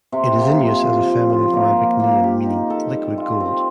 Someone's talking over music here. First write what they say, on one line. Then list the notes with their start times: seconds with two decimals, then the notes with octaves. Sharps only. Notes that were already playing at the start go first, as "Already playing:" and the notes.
It is in use as a feminine Arabic name meaning "liquid gold".
0.12 C3
0.35 A#3
0.59 F3
0.82 F3
1.06 F3
1.30 F4
1.53 A#3
1.77 A#3
2.00 A#3
2.24 G4
2.46 D#4
2.70 A4
2.94 G3
3.18 F4
3.40 C4